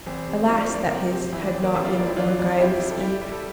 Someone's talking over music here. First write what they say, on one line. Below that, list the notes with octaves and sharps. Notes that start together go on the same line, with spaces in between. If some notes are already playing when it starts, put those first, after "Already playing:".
Alas, that his had not been a more guileless Eve!
E2 C4
C3
F3 E4
D4
C4
F3 A#3 D4
C3 G4 A#4
C3 C4
E2 E4
D4
E2 C4
A#3 D4
G3 C4 E4
D4 F4
F2 A#3 D4
C4 E4
E3 D4 F4
F2
F4
F2 E4 G4
F2
A4
G3 E4 G4
G3
A4